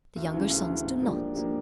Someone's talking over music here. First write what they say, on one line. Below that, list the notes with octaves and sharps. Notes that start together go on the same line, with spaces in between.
The younger sons do not.
D2
C#3 E3
D2
C#3 E3
G#2
F3 A#3 D4 G4
G#2
F3 A#3 D4 G4